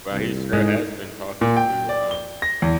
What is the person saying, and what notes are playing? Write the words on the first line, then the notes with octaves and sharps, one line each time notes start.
Well, he sure has been talking to, um
C2
G#2 G#3 D#4 E4 A4
A#2
G5
D5
G7
A#6
E2